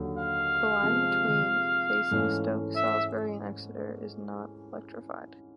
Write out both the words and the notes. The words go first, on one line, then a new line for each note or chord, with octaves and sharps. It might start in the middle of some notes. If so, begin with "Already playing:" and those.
The line between Basingstoke, Salisbury and Exeter is not electrified.
Already playing: D#2 D3 F#3
F5
C3 F3 G#3
G#2 E3 A3 C#4
E5